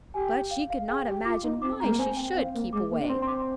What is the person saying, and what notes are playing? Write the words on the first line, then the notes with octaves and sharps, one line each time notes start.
But she could not imagine why she should keep away.
G4 G#5
G5
F5
F5
G#4 G5
G4
F4 D6
D#4
C4 D6
A#5
G#3
A#3
C4 G#5
G5
C4 F5
A#3
G#3 D6
A#3
D4
C4 C6
C6
D6